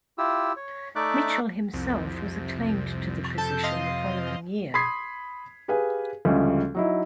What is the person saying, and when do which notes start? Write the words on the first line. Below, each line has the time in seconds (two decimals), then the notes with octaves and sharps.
Mitchell himself was acclaimed to the position the following year.
0.18 E4 F4 G4 E6
0.56 C#5
0.96 A3 D#4 D5 E5 D6 F#6
1.73 C2 F2 C3
3.38 A4 A5 G6
3.63 D#5 F5 C6
4.74 B5 C6 D#6 G#6 B6 C7
5.68 G4 G#4 B4 F5 G#5
6.25 D2 C#3 F3 G3 G#3
6.75 F#3 D#4 E4